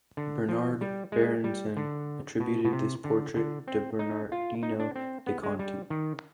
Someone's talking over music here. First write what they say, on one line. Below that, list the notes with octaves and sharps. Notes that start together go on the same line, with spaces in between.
Bernard Berenson attributed this portrait to Bernardino de' Conti.
D3
F3
G3
G#3
G3
D3
B2
B2
C3
D3
D3
C4
D#4
F4
D#4
D4
C4
B3
G#3
G3
D#3